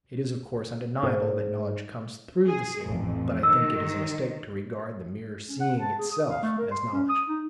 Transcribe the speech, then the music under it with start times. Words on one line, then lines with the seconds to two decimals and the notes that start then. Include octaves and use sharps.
It is of course undeniable that knowledge comes THROUGH the seeing, but I think it is a mistake to regard the mere seeing itself as knowledge.
1.03 G#2
2.46 G#4
2.85 A1 F2
3.43 D#3 E6
5.49 C#4
5.60 F#5
5.81 A5
5.99 G#4
6.12 D#6
6.30 F5
6.43 A3
6.58 A#4
6.71 C6
6.93 C#4
7.09 D#6
7.28 D#4